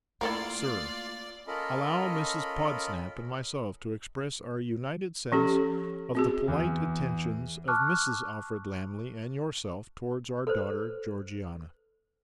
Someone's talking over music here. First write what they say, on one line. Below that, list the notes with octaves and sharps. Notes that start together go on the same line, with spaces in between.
Sir: Allow Mrs Podsnap and myself to express our united sense of the polite attentions of Mrs Alfred Lammle and yourself towards our daughter, Georgiana.
A3 A#3 E4 F4 A4 A#4 D5
C#4 F4 A4 A#4 D#5 B5
F3 C#4 G4 A4
C4 F#4 G#4
E2
A5 C#6 D6 F6 F#6
A4 B4 C5